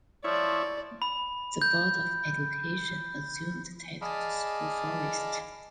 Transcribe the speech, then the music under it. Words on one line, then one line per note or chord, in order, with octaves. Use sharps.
The board of education assumed title to school forest.
F3 E4 C#5 D5
B5
G6
G#4 D5 D#5 F5 A5 B5